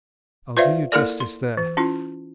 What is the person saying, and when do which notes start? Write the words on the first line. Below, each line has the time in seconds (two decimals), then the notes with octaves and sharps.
I'll do you justice there.
0.57 F4 B4 C5 D5 E5 F5
0.92 A#3 E4 A4 A#4 D5
1.20 C6
1.57 E3
1.77 C#4 E4 F4